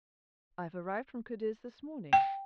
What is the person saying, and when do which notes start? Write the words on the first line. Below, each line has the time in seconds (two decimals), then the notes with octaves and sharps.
I have arrived from Cadiz this morning.
2.13 G5